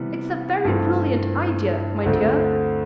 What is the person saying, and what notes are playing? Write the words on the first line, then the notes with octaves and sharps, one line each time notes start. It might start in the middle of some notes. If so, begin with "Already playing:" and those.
It's a very brilliant idea, my dear!
Already playing: C3 E3 G3 B3
G2 E3 A3 C4 F4
D2 D3 A3 C4 F4